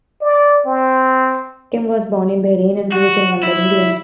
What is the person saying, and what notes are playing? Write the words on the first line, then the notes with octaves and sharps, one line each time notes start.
Kim was born in Bahrain and raised in London, England.
D5
C4
F#4
E4